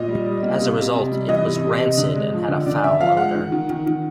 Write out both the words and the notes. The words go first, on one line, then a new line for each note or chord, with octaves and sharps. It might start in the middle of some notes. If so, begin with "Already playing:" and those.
As a result, it was rancid and had a foul odor.
Already playing: A#2 D#5
G3
G3
A#3
C3
C3
C3
G3
E3 D#5
C3
C3
C3
D3
G#3
F3
D3
D3 D5
D3 E5
F3 F5
G#3 F#5
D#3
D#3
D#3
D#3